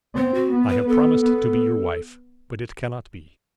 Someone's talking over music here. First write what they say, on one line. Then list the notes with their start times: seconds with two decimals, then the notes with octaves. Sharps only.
I have promised to be your wife, but it cannot be.
0.16 B3 C4
0.34 F#4
0.52 B3
0.70 B4
0.88 B3 A4
1.23 B3